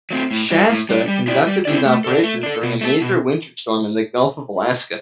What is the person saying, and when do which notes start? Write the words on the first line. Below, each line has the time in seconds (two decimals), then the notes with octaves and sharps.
"Shasta" conducted these operations during a major winter storm in the Gulf of Alaska.
0.11 F#3 A3 C4
0.31 A2
0.50 G3 D4
0.69 A2
0.89 G3 D4
1.08 G3
1.27 C4 E4 G4 D5
1.47 G3
1.65 C4 E4 G4 D5
1.86 A3
2.04 D4 A4
2.23 A3
2.43 D4 A4
2.63 B2
2.81 A3 D4 A4
3.02 B2